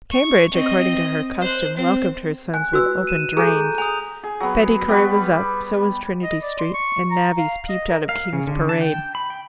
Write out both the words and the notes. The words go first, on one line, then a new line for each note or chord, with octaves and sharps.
Cambridge, according to her custom, welcomed her sons with open drains. Pettycury was up, so was Trinity Street, and navvies peeped out of King's Parade.
C#6
C4 D#5
C5 F#6
C4 C5
G#5 F#6
F#4 B4 E6
D#7 E7
G#4 A4 G#5 A#5 G6
G#5 D#6 F7
G#4
F#3 B3
G3 B3 B4 C#6
D#5
D5
C6
C#6
A#5
F5
D#5
A#4
F5
C#3
D3
A5
G5
B5
G5